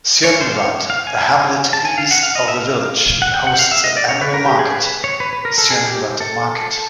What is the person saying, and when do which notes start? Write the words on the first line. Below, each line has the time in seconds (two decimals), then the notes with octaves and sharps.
Sjönvad, a hamlet east of the village, hosts an annual market, Sjönevad market.
0.24 C#5
0.41 C5
0.57 C#5
0.90 F5
1.07 G#5
1.73 A5
1.85 G#5
1.98 F5
2.11 F#5
2.23 F5
2.35 D#5
2.48 E5
2.60 F5
3.22 F#5
3.34 G5
3.47 F#5
3.59 F5
3.71 E5
3.84 D#5
3.97 D5
4.09 C#5
4.21 B4
4.34 A#4
4.46 G4
4.59 G#4
4.71 B4
5.04 C#5
5.20 B4
5.33 B4
5.45 A#4
5.58 A4
5.70 G#4
5.87 G4
6.20 A4